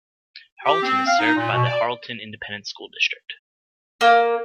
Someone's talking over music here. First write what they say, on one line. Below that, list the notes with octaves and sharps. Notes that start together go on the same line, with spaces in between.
Harleton is served by the Harleton Independent School District.
G4
C4
F5
D#4
A#2
B2
D5
A#3